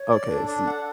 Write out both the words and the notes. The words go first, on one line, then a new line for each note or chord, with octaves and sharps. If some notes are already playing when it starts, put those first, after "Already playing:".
Okay, I see.
Already playing: C#5
D5
D4 A4
D4
F#5